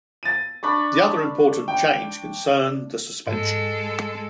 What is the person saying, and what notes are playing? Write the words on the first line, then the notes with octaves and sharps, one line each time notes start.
The other important change concerned the suspension.
A6 D#7
D4 B5 C#6
G5
G#2 G#3 A4